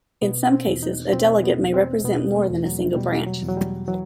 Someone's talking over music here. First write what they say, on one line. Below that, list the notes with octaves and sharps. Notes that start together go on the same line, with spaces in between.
In some cases, a delegate may represent more than a single branch.
B2 B3
C4
E2
D#4
B2 C4
B3
E2
C4
B2 B3
A3
E2
F#3
B2 G3
F#3
E2
F#3
G3
E3 F#3